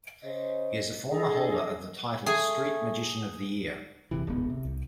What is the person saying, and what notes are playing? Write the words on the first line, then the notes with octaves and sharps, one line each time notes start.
He is a former holder of the title Street Magician of the Year.
C#3 C5 D#5
D4 G#4 A4 D#5
A3 G#4 G#5
F#1 C3 E3
D1 G#1 B3
C3
C2